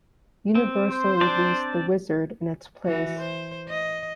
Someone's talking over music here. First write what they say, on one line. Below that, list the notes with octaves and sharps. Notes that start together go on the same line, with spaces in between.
Universal released "The Wizard" in its place.
C4
C5
C4 D4 D5
E3 F#4
C5
D#5